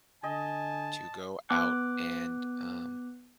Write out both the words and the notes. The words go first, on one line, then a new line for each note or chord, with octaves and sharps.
to go out and, um,
D3 D#5 G#5 A5
B3 D6 F#6